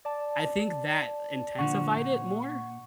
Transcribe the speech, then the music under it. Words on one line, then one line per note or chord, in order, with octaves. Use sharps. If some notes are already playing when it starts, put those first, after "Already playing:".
I think that intensified it more,
D5 A5
A#2 D3 F3 F#5 C#6
A#2